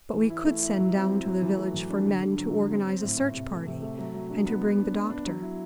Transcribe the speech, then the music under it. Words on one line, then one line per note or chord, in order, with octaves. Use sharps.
But we could send down to the village for men to organise a search-party and to bring the doctor.
E3
E4
A3
E4
F#3
C4
E4
F#3
E3
A3
E3
D4
D3
D3
F#3
D3
C4
C4
A2
A2
C3
A3
C3
A3
F#3
F#3
D4
B3
B3
D4
B3
D4
F#3
E4